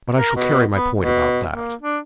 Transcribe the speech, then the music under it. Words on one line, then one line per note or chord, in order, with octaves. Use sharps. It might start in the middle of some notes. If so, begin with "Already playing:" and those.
But I shall carry my point about that.
A#4
B2
B3
B2
A#3
D4